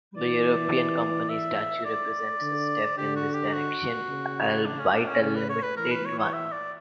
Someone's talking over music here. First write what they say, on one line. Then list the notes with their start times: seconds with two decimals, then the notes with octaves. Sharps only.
The European Company Statute represents a step in this direction, albeit a limited one.
0.17 E3 D5
1.29 E5
1.85 D5
2.41 D3
2.97 D3 G4
3.16 F#4
3.34 G4
3.53 F#4
4.09 C#3
4.65 D4
4.80 C#4
4.93 D4
5.07 C#4
5.21 C#3 C#4
5.36 B4
5.50 C#5
5.63 B4
5.77 E3 A#4
5.91 B4
6.05 C#5
6.19 C#5
6.33 E5
6.52 D5